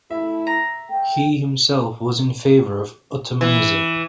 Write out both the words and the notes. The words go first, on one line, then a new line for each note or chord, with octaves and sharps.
He himself was in favour of Ottomanism.
A3 E4 E5
A#5
A3 G5
E3